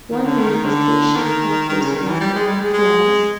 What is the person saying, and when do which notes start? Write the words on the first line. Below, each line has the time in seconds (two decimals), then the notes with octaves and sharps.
One manifestation of this was the Got Rice?
0.12 D#3
0.25 D3
0.39 D#3
0.65 D3
1.16 D#3
1.69 D#3
1.82 C#3
1.95 D#3
2.08 E3
2.20 G3
2.34 G#3
2.47 G3
2.60 G#3
2.73 G#3